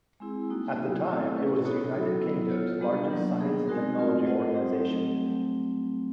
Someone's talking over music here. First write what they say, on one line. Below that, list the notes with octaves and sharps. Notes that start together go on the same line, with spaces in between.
At the time it was the United Kingdom's largest science and technology organisation.
G#3 C4 E4 G#4
G3 A#3 D#4 F#4
F#3 B3 E4
A3 C4 E4 A4 C#5
C#4 E4 G#4 B4
B3 D#4 F#4 A4 C#5
F#3 B3 E4 A4
F#3 B3 E4
F4 A4 C#5
G3 B3 D4 G4
F#3 A#3 D4
B3 D#4 G#4
G#3 C4 D#4 F#4 A#4
A3 C4 F4 A#4
F4 A4 C5 D#5 F#5
G3 C4 D#4 G4
F#3 A3 C4